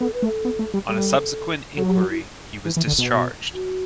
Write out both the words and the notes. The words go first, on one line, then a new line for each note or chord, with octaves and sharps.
On a subsequent inquiry he was discharged.
B3 A4
B4
A3
A4
B3
A3
G3
G3 A4
F#3 A4
F#4
G4
F#4
E4
E3
E3
D3
B2
F#4